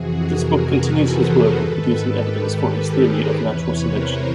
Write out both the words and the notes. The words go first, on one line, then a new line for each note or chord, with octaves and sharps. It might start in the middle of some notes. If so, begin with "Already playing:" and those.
This book continues his work in producing evidence for his theory of natural selection.
Already playing: F2 C3 E3 F#4 G#4
G#4 A#4
A4 B4
A#4 C5
A#4 C5
G#2 D#3 A4 B4
G4 A4
G4 A4
G#4 A#4
A#4 C5
E2 C3 E3 B4 C#5
A#4 C5